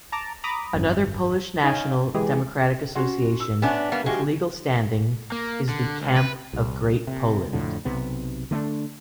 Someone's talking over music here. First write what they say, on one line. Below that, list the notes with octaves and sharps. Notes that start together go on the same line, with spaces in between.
Another Polish national-democratic association with legal standing is the Camp of Great Poland.
A5 A#5 D6
A#5 B5 D6 D#6
G#1 F#2
D#4 C#5 F5 G5 G#5
E3 G#3 G4 G#4
C#4 F#4 C6
E6
B3 C#4 D4 E5 G#5
G3 A#3 B3
F3 G#3 F#4 G4
A#3
D3
C#2
B4
C2
C3
F2 A2 D3
B1 C3 B3
D3 A3 C4 D4